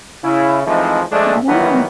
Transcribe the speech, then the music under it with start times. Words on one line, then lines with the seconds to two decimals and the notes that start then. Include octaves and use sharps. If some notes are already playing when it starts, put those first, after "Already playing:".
I don't know.
0.24 C#3 E4
0.67 E3 F3 G#3 A3 C4 D#4
1.12 F3 G#3 A3 D4
1.48 D#3 E3 F#3 G3 B3